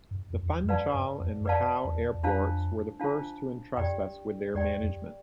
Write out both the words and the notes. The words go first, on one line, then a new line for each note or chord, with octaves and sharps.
The Funchal and Macau airports were the first to entrust us with their management.
G2
F2
F2
E2
G2
F2 B4 D5 F5 A5
G2
F2
G2
F2 B4 D5 F5 A5
E2
E2
F2 D4 F4 C5 F5 A5
D4 F4 C5 F5 A5
F2 G4 D5 G5
E2 G4 D5 G5
F2